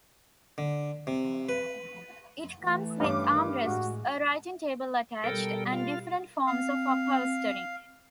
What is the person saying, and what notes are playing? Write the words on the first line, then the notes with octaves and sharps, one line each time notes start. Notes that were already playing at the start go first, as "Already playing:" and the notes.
It comes with armrests, a writing-table attached, and different forms of upholstering.
D3
C3
B4
E3 A3
G2 C#4 D6
D#3
A2 G#3 F#4
B2 G3 A4 A#4 G5
F4 F5
C4 F5